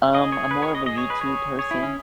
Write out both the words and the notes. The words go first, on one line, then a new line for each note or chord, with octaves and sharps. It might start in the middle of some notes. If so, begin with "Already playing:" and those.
Um, I'm more of a YouTube person,
G#4 D#5
C#5
B4
C#5
D#5
G#4 D#5
C#5
B4
C#5
G#4 C#5
E4
C#4